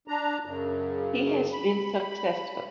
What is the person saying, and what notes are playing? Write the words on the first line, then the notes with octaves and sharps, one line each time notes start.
He has been successful.
D4 A#5
F#2 C#3
B5